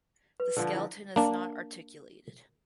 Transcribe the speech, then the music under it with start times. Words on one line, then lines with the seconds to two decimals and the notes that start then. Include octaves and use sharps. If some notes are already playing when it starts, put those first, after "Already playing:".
The skeleton is not articulated.
0.40 B4
0.57 D3 F3
0.74 E4 E6
1.16 A#3 D4